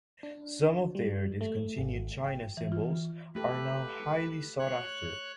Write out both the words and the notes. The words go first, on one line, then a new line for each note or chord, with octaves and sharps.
Some of their discontinued china cymbals are now highly sought after.
D4
G3
A3
G#1
G5
E3
F4
A3 G4 A4 B4
C#5 F#6